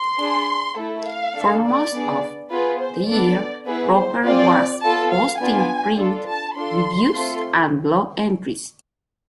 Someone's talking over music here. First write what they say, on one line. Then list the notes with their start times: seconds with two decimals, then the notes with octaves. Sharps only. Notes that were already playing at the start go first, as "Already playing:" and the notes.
For most of the year Roeper was posting print reviews and blog entries.
Already playing: C6
0.19 D4 G#4
0.77 A3 E4 A4
1.06 F5
1.35 D4 A4
1.64 D5
1.93 B3 D4 G#4
2.51 B3 F4 G#4 B4
2.80 C5
3.09 B3 D4 A4 D5
3.66 B3 E4 G#4 B4
3.95 C5
4.25 C4 F4 G#4 D5
4.83 B3 F4 A4 A5
5.12 F5
5.40 B3 D4 F4 G#5
5.99 D4 F4 A4
6.28 A5
6.57 D4 F4 A4 C6
7.15 A3 C4 F4 A4